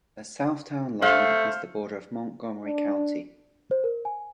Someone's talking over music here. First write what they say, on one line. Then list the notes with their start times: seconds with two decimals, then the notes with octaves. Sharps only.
The south town line is the border of Montgomery County.
1.02 A3 C5 F5
2.65 D4
3.71 C5
3.84 A#4
4.05 G#5